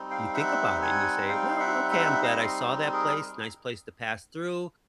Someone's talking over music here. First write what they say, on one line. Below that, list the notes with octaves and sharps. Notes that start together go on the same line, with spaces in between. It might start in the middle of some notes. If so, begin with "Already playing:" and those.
you think about it, and you say, "Well, okay, I'm glad I saw that place, nice place to pass through,
Already playing: G3 C4 D#4
F5 G5
E5 F#5
F#5 G#5
F5 G5
E5 F#5
E5 F#5
D#5 F5
G#4 A#4